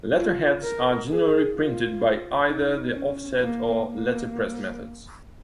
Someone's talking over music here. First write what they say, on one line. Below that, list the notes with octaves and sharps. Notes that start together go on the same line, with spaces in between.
Letterheads are generally printed by either the offset or letterpress methods.
F4
A#4
G#4
F4
D#4
C#4
A#3
A#3